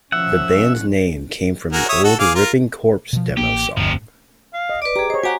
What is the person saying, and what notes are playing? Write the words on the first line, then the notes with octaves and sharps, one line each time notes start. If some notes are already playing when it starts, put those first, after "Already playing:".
The band's name came from an old Ripping Corpse demo song.
F3 C#4 E5 F#5
F#4 G#4 A#4
C#5 E5 D#6
F#4 A4
G#4 F5 D6
F4 A#4
B2 F3
A1 A#3 G4
F1 D2 G2 C3 F3
F5
D#5
B4 D5 D6
G4 G#4 A#5
C5 C#5 D#5
F#4 G4 F#5 G#5 A#5